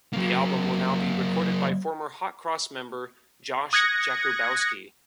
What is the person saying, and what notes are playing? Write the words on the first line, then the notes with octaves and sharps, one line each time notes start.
The album will now be recorded by former Hot Cross member Josh Jakubowski.
F#3 A#3
D#6 F#6 G#6 A#6 C#7